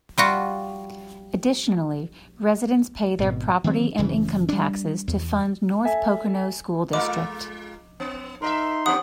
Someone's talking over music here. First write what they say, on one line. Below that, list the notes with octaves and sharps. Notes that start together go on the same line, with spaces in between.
Additionally, residents pay their property and income taxes to fund North Pocono School District.
G3 F4 F#4
G#1 B2
D#3 E3 F#3 C4
F#1 C#3 E3
G3 D4
E2
A4 E5 G#5
G#3 F4 A#4 D#5 D6
B3
D#4 A#4 D#5 E5 C6
B3 C#4 G4 F#5 D#6